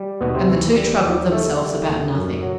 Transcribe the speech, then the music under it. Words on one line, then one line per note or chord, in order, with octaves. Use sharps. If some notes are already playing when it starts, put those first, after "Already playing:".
And the two troubled themselves about nothing.
Already playing: G3
D#2 B2 B3
C3 C4
D#2 E3 E4
G3
D#2 G3 G4
D#3 A3 A4
G3
D#2
F#2
F#3